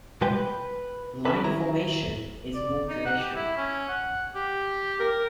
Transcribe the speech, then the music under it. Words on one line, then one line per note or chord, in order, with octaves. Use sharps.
Line formation is more traditional.
B2 G3 G#3 G4 B4 G5
B4
C#4 A4 B4
D#3 F#3 E4 A#5
D5
D#4
F#5
G4
E4
C#4
F#5
G4
A#4